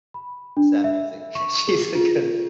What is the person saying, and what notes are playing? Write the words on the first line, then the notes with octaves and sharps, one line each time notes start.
sad music, she's a good one.
B5
D4
E5
C#6
G#4
F4